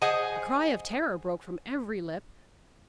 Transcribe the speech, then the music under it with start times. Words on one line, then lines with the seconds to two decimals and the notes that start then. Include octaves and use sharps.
A cry of terror broke from every lip.
0.02 G#4 C5 D#5 F#5 G#5